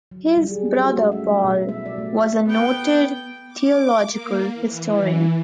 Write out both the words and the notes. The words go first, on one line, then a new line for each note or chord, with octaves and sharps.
His brother, Paul, was a noted theological historian.
F#3
G3
G#4
C#4
F#4
A3
E5
F#3
B2
E5
D5
A3
B3 G5
D6
A#3
E3